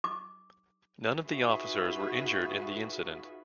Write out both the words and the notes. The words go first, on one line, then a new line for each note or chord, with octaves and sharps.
None of the officers were injured in the incident.
D6
D#4 F4 F#4 G#4 B4 E5